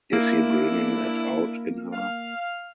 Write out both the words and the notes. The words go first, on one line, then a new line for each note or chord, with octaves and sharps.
Is he bringing it out in her?
A#3 D4 E4
F5